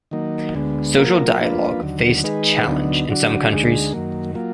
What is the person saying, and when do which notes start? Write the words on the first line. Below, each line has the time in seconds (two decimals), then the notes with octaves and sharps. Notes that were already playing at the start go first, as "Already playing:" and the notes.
Social dialogue faced challenge in some countries.
0.11 D#3 F#3 A#3 D#4
0.54 D2 D3 G#3 B3
0.96 F#3 A#3 F4 A#4
1.39 F3 A#3 D4 F4 B4
1.81 D#2 D3 F#3
2.23 D#3 G#3 D#4 G#4 B4
2.66 D2 D3 F#3 B3 D#4
3.09 D3 F#3 D4 F#4
3.50 D2 D3 G#3 D#4 G#4
3.93 F#2 D#3 F#3 A#3
4.35 F#3 A#3 F4